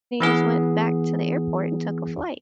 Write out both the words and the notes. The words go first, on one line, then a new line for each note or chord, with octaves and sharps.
he just went back to the airport and took a flight,
E3 B3 G#4